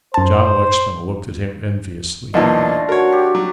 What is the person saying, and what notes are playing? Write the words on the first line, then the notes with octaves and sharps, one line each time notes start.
John Lexman looked at him enviously.
F#2 C5 A5
B1 E2 A#2 D3 F3 A3 D#5
F#4 A#4 C#5
G4
F#3